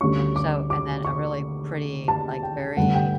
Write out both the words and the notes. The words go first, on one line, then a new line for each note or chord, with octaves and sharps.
So and then a really pretty, like, very
D2 D3 G3 C#4 C#6
D6
D6
C#6
A5
G5
G2 D3 A3 F#5
G5